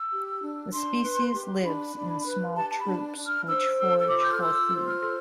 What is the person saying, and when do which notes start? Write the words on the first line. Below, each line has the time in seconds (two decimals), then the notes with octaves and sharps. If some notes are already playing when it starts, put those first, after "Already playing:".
The species lives in small troops which forage for food.
Already playing: E6
0.11 G4
0.42 D4
0.72 D4 C6
1.04 B4
1.34 G4
1.64 D4 B5
1.95 D4
2.25 B4
2.56 G4 A5
2.70 A5
2.79 B5
2.87 D4
3.18 D4
3.25 F6
3.48 C5 E6
3.78 A4 E6
3.98 E6
4.09 F4 D6
4.23 G6
4.32 F6
4.40 F4 E6
4.70 C5
4.86 F6
5.01 A4